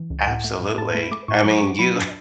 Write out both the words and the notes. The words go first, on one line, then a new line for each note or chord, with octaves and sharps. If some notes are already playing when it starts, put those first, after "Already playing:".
Absolutely. I mean, you
Already playing: E3
C#2
A2 F#5
A3
A2
A2 A5
A3 B5
A3 D6
A2 C#6
D6
F#3 C#6
D6
D4 C#6
F#3 B5
D4